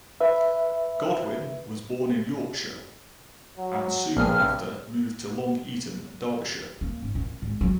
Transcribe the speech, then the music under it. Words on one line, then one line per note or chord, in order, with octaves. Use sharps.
Godwin was born in Yorkshire and soon after moved to Long Eaton, Derbyshire.
B4 E5
F#3
A#1 G2 G#4 F6
A#3
G#2
A#2
G#1
F#3